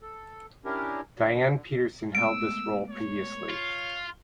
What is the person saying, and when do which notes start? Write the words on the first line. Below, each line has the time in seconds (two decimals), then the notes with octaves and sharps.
Dianne Peterson held this role previously.
0.02 A4
0.65 C#4 D4 E4 G4 A#4
1.17 D3
2.15 G#3 A3 B3 E6 D7
2.90 C#5
3.50 F4